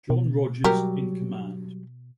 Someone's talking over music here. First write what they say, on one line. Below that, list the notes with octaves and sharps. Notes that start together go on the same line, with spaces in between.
John Rodgers in command.
B2
F#3 G3 G4 A#4